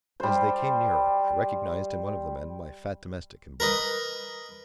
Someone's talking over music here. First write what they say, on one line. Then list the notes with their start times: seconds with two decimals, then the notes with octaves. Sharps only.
As they came nearer, I recognized in one of the men my fat domestic in black.
0.20 G3 C5
3.60 A#4 B4 D#5